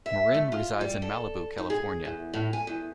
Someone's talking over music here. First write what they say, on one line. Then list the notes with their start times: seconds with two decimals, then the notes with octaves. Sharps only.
Marin resides in Malibu, California.
0.06 E5
0.34 A3
0.52 F4
0.81 G3
1.02 A4
1.58 D#4
1.70 G#4
2.05 E2
2.34 A2
2.53 G#5
2.67 E2